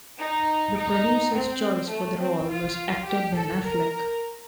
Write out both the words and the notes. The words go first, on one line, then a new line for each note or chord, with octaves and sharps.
The producers' choice for the role was actor Ben Affleck.
D#4
D#4
C4
A3
C4
F4
G4
A4
A#4